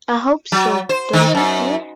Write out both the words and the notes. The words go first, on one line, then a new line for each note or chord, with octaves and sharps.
I hope so; don't you, dear?
F#3
C5
D#3 D#4
F#2